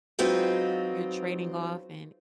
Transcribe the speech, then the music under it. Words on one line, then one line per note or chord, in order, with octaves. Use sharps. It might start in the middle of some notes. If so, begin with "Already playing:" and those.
you're trading off and
F#3 G#3 C4 D#4 F4 B4